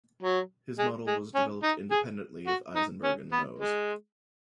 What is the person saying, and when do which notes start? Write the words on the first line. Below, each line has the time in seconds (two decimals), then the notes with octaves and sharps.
His model was developed independently of Eisenberg and Noe's.
0.23 F#3
0.78 G#3
1.07 G#3
1.35 C#4
1.63 D#4
1.91 G#4
2.47 F#4
2.75 D#4
3.03 C#4
3.32 B3
3.59 G#3